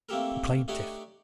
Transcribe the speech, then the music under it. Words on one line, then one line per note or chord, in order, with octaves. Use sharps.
The plaintiff.
A3 A#3 C4 G4 A4 A#4
A3 D4 D#4 G4 C#5 F#5